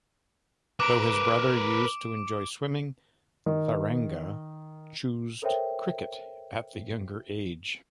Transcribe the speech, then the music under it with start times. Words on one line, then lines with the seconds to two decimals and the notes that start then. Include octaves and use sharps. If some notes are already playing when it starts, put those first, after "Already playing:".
Though his brother used to enjoy swimming, Tharanga choosed cricket at the younger age.
0.80 A#4 B4 D6 D7
3.46 D#3
5.42 A4 A#4 C5 C#5 E5 G5